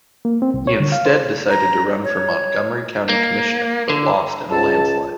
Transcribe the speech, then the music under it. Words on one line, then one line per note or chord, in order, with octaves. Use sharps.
He instead decided to run for Montgomery County Commissioner, but lost in a landslide.
A#3
C4
C2
C#5
D3
F5
C5
A#5
C#5
A#3
D3
C#2 A5